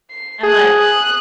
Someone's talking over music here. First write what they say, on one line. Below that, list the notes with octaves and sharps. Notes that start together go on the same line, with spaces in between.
And like
C7
G#4 A5 F#6
D#6 F#6